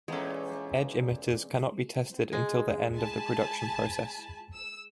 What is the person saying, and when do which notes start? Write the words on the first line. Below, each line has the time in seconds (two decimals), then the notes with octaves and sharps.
Edge-emitters cannot be tested until the end of the production process.
0.08 E2 A#2 G#3 C#4 A4
2.33 G#3
2.96 G#5 A5 B5
4.54 E6